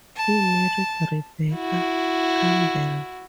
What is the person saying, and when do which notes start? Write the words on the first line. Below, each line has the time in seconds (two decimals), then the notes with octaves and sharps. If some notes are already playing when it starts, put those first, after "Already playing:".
He married Rebecca Campbell.
0.17 A5
1.54 E4 F#4